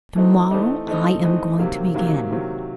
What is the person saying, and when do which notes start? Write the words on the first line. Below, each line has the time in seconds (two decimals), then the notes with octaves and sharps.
To-morrow I am going to begin.
0.16 E3 A3 C4 D#4
0.51 E3 A3 C4 D#4
0.87 E3 A3 C4 D#4
1.23 E3 A3 C4 D#4
1.59 C3 D#3 F#3 A#3
1.94 C3 D#3 F#3 A#3
2.31 C3 D#3 F#3 A#3